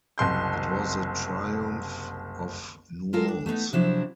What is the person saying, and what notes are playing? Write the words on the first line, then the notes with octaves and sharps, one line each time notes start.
It was a triumph of nuance.
F#1 C2 C6 G6
G#3 F4 A4 A#4
D4
A3 B3 C4 D#4
C3 F3 F#3 C4 D4 E4